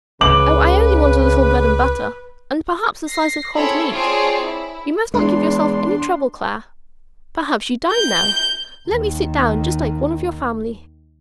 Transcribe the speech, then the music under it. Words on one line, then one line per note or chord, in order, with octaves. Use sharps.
"Oh, I only want a little bread-and-butter, and perhaps a slice of cold meat--you must not give yourself any trouble, Clare--perhaps you dine now? let me sit down just like one of your family."
C#2 C#3 B4 D6 F#7
A#6 C7
C4 C#4 E4 G#4 A4 C#5
C4 F4 G#4 C#5 D5 A5
E4
E2 G#3 D4 C6
G6
D#2 D#3